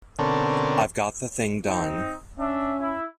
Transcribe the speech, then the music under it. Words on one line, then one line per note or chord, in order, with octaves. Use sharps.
I've got the thing done.
B2 D3 C4 C#4 A4 A#4
C4 D#4
C#4 D4 E5
E4